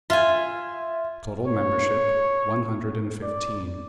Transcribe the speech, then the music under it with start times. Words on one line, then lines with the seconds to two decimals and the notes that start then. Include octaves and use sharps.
Total membership, one hundred and fifteen.
0.10 F4 E5 G#5
1.47 C#5
3.23 D5